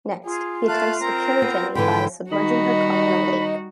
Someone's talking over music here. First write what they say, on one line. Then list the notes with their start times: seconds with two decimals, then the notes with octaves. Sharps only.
Next, he attempts to kill Jenny by submerging her car in a lake.
0.24 F4 G#4
0.68 A3 F5 A5 F#6
1.01 C4 A#4 A#5
1.42 B3
1.75 G#2 D3 E3 G5 B5
2.32 D#3 G3 D#4 F#4 D#5 B5